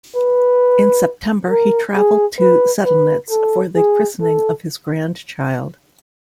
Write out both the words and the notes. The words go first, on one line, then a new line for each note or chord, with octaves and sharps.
In September he traveled to Sedlnitz for the christening of his grandchild.
B4
A#4
G#4
B4
B4
A4
G#4
A4